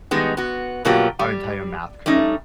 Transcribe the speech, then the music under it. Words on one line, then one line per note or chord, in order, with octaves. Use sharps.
our entire math curric
D#3 G3 G#3 B3 D#4
B3 F#4
G2 B2 F#3 A#3 F4 G4
G3
G3 A3 C#4 D#4